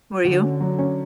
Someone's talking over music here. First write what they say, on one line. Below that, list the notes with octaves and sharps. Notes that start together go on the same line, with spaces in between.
Were you?
D3 F#4
C#4
F#3
C#4